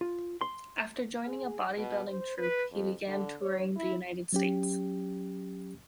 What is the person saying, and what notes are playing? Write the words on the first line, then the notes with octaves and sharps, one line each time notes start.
After joining a bodybuilding troupe, he began touring the United States.
F4
C6
G#4
B2
C5
B4
F2
D3
C#5
E4
F#3 C#4 G4